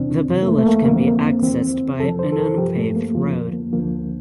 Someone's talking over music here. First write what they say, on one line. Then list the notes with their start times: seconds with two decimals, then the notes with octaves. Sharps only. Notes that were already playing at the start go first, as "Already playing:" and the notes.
The village can be accessed by an unpaved road.
Already playing: E2 C3 E3 C4 D4
0.27 F2 E3
0.42 A#3
0.47 A3
0.58 A3
0.66 A#3
0.85 F2 D3 F3 A#3
0.96 C4
1.08 A#3
1.42 E2 E3 C4
2.00 F2 C3 F3 A4
2.19 C5
2.32 A4
2.39 A#4
2.58 F3 G4
2.61 G2
2.77 A3
2.96 A#3
3.15 F2 D3 F3 F4
3.53 A#3
3.73 D2 D3 F3 A#3